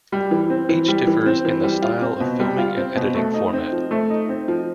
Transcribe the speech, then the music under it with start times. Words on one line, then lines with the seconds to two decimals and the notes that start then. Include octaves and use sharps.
Each differs in the style of filming and editing format.
0.12 G3
0.31 E3
0.50 C4
0.69 E3
0.88 G3
1.07 E3
1.26 C4
1.45 E3
1.64 G3
1.82 F4
2.01 C4
2.20 B2
2.40 G3
2.58 F4
2.77 C4
2.96 B2
3.15 A3
3.34 D#4
3.53 C4
3.72 F3
3.91 A3
4.10 D#4
4.29 C4
4.48 F3